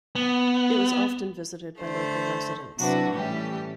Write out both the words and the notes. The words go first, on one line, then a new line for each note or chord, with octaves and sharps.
It was often visited by local residents.
B3
D3 A3 C5
C3 F#3 D4 E4 F#4 B4
A2 E3 G3 C#4 G4